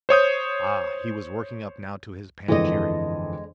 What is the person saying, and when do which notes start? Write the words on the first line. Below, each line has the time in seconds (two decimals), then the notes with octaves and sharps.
Ah! he was working up now to his panegyric!
0.09 C5 C#5 D#6 G6
2.48 G1 F2 E3 G#3 A4 D#5